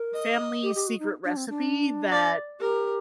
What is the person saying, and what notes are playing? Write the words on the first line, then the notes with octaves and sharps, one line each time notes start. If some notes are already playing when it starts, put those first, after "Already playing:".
family secret recipe that
Already playing: A#4
D#5
G4
G4
F#4
D#4
D4
C4
D4
D5
G4 A#4